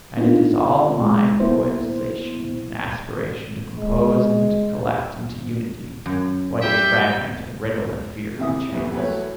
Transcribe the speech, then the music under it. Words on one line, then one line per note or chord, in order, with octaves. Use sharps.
And it is all my poetisation and aspiration to compose and collect into unity what is fragment and riddle and fearful chance.
B3 D4 D#4 F4
G#3
A#3 B3 E4 C5
G#3
F#2
G3 E5 G5
D#2 C3 E3 E5 D#6
F2 A2 E3 G3 A3 B3
B1 E2 F#3 A3 B4 C#5